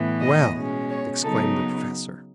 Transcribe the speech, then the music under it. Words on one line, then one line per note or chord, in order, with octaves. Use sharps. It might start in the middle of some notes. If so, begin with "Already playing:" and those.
"Well!" exclaimed the Professor.
Already playing: A2 E3 B3
D#5
B2 G#3 C#4
C#5
C#3 F#3 B3 D#4 A4